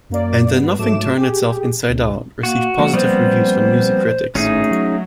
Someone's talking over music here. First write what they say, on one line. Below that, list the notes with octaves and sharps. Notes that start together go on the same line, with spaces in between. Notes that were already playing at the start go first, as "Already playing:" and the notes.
"And Then Nothing Turned Itself Inside-Out" received positive reviews from music critics.
F#2 A#3 D5
G2 B3
G#2 F#3 A3 D6 E7
G4 G#4
C#2
A#3 F#4
F3 G#3 A#3
G3 B3 C4 C5
G#1 A2 A3 C#4 D#4 G#4
F#3